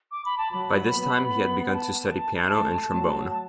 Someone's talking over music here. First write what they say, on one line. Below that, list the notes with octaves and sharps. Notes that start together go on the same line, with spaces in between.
By this time he had begun to study piano and trombone.
D6
B5
A5
F#3 B5
B3
F#5
A5
A3
F#3
A5